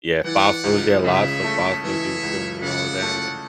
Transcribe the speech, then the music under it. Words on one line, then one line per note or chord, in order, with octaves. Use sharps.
Yeah, fossils, yeah, lots of fossils, he was showing me all of that, and
E3 D5 F#5
C#2
C#3 C#5 E5
A3
E3 C#5 E5
C#2
C#3 D5 F#5
A3